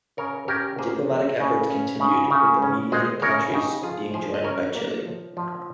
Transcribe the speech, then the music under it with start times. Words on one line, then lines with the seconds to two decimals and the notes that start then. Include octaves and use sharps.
Diplomatic efforts continued, with the mediating countries being joined by Chile.
0.17 C#3 A#4 C#5
0.48 C#4 G4 A#4
0.78 A#3 G#4 C5
1.10 F3
1.40 C#3
1.70 C#4
2.00 C#3
2.31 C#3
2.62 C#4
2.92 G#3 C5 D#5
3.22 C#3 A#4 C#5
3.53 C#3 D#4 G4
3.83 F3 F4 G#4
4.14 F3 G#4 C5
4.34 D#5
4.44 C#4 A#4 C#5
4.75 A#3
5.06 F3
5.37 F3